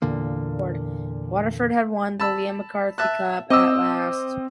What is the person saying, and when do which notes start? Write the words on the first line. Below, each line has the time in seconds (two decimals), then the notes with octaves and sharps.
Waterford had won the Liam MacCarthy Cup at last.
0.02 E2 A#2 D3 A#3
2.20 A5 B5 E6
2.98 E5 A5 F#6
3.50 C4 D#5 D6 E6